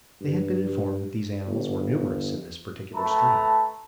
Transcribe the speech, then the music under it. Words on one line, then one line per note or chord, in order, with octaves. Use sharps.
They had been informed that these animals were numerous in this particular stream.
G2
G1
A3 B4 A5 A#5